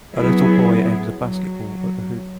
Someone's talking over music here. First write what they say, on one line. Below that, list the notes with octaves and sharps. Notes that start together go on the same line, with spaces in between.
A little boy aims a basketball at the hoop.
F#3 B3 E4 G#4
F#3